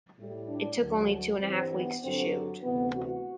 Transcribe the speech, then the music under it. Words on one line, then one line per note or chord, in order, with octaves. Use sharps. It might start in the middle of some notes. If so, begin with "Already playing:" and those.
It took only two and a half weeks to shoot.
A2 G3
D4
D2 D3 F#3
G2 E3 G3 C4
B3
G2 D3 F#3 C4
D2 C3 E3 B3
F#4